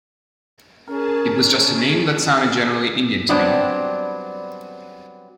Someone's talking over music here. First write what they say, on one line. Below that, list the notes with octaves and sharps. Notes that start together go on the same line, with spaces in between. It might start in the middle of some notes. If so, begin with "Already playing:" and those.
It was just a name that sounded generally Indian to me.
C#4 G#4 A#4 A5
F#3 G3 B3 C4 D4 D5